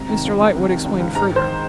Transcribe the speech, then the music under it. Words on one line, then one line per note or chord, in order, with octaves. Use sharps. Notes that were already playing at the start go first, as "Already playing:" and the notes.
Mr Lightwood explained further.
Already playing: G#1 C3 A#5
D#3
C#2
C#2
C3
D#3
C#2
C#2
G#2 A#5
D#3
C5